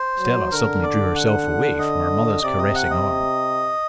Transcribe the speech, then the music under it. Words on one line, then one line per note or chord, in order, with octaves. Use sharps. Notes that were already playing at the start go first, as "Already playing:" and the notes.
Stella suddenly drew herself away from her mother's caressing arm.
Already playing: C5
F#3
D3 A#4
D5
F#5
D#5
C3 D5
D#5
F#5
D#5